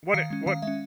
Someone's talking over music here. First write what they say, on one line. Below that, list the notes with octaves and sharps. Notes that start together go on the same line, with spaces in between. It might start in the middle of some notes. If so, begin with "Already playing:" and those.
what it what
D#3 F5
G#3 C#4
D#3 F5
G#3 C#4 E5